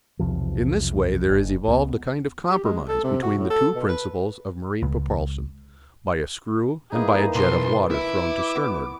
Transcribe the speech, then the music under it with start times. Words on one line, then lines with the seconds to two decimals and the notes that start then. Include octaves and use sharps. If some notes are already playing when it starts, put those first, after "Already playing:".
In this way there is evolved a kind of compromise between the two principles of marine propulsion, by a screw and by a jet of water thrown to sternward.
0.19 B1 E2 C3 F3
1.29 F#1
1.68 C#2 F3 B3
2.50 G4
2.64 G#3
2.88 A4
3.04 C3
3.23 F#4
3.39 A2
3.50 A4
3.75 B2
3.88 B4
4.83 C#2
6.92 E3 A#3 D#4 G#4
7.35 B1 E3 A5 C6
7.91 E4 E5 D6
8.55 B3